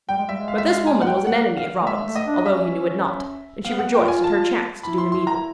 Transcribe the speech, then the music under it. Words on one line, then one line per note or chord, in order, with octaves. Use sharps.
But this woman was an enemy of Robin's, although he knew it not; and she rejoiced at her chance to do him evil.
G3 G5
G#3
G3 E5
G#3
F5
E5
F5
G#5
F#5
G5
F#5
F5
A3
G#3 E5
A3
D#5
D4
D#5
C#4 E5
B3 F5
F#5
F4 G5
G#5
A5
E4 B5
C6
C6
A#5